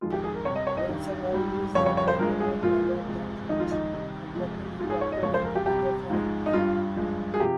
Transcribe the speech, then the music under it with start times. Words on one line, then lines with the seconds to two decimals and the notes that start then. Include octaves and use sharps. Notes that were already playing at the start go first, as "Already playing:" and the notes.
Ransomware is the kind of malware that blackmails you after encrypting your files.
0.01 F2 D#3 G#3 F4
0.13 G4
0.24 G#4
0.35 A#4
0.45 C3 C#5
0.49 G3
0.56 D#5
0.67 C#5
0.77 D#5
0.89 G2 D#3 G3
1.32 G#2 G3
1.75 F2 C#3 G3 C#5
1.86 C#5
1.97 C#5
2.08 C5
2.19 G2 F3 G#3 A#4
2.40 G#4
2.62 A#2 F3 G#3 F4
3.05 C3 F3 G#3
3.49 F2 D#3 G#3 D#4
3.59 F4
3.71 D#4
3.93 C3 D#3 G3
4.36 F2 C3 F3 G#3
4.79 G#2 F3 G#3 F4
4.90 G#4
5.01 C#5
5.12 D#5
5.22 F2 C#3 G#3 C#5
5.34 C5
5.44 A#4
5.55 G4
5.66 C3 G3 G4
6.10 G#2 F3 G#3
6.46 D#4
6.53 G2 G3 F4
6.96 G2 F3 G#3
7.34 G#4
7.40 C3 F3 G4